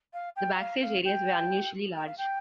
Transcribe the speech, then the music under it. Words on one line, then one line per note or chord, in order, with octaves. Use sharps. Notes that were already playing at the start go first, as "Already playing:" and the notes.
The backstage areas were unusually large.
F5
G5
G5
F5
F5
G5
G5
F5
G5